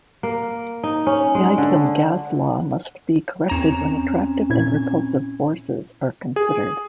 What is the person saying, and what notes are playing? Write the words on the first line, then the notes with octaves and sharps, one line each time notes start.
The ideal gas law must be corrected when attractive and repulsive forces are considered.
A#3
D#4
C#4
G#3
D3
E2 C4 C#4 A#5 E7
A#2 E4 G#6
G#4